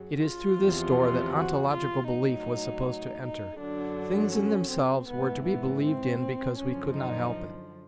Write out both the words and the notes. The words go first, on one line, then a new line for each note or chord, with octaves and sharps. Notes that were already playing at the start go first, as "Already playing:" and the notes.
It is through this door that ontological belief was supposed to enter. "Things in themselves" were to be believed in because we could not help it.
Already playing: F#2 C#3 F#3
F4
E2 C3 F3
F#4
F4
A2 F#3 D#4
D#4
F#2 D3 F#3 D4
C#4
C4
G#2 E3 B3
B3
C4
F#2 D3 F3 C#4
D#4